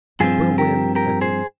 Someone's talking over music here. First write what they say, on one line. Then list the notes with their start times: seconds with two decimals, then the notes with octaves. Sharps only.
"But we'll win!" said Dick.
0.20 G2 F3 C4 F4 G#4
0.58 G4 A#4
0.95 G4 A#4
1.21 G#4 C5